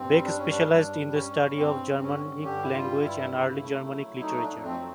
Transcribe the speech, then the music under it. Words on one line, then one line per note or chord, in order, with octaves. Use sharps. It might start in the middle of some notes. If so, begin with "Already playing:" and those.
Beck specialized in the study of Germanic languages and early Germanic literature.
Already playing: G2 C4
G3
D4
G2 C#4
D4
G2 D4
G3
C#4
G2
G2 C4
G2
C#4
D3
G2 G4
E4
G3 F4
G2 E4
C#3
A3
F#3
A3 D#4
D4
F2
C4
F#3